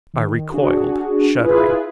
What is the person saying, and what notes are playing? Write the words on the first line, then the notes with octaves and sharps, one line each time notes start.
I recoiled shuddering.
D#3
D4 F#4 G#4
E4 F4 G#4 B4